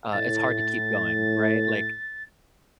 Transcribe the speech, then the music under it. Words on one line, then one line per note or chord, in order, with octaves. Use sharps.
uh, it's hard to keep going, right? Like,
A2 A6